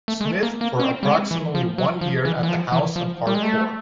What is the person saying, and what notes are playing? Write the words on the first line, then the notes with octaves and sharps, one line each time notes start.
Smith for approximately one year at the House of Hardcore.
A3
G#3
A3
A#3
A#3
C#4
C4
G3
G#3
E3
F3
F#3
F3
E3
E3
F3
E3
F3
G3
G#3
A3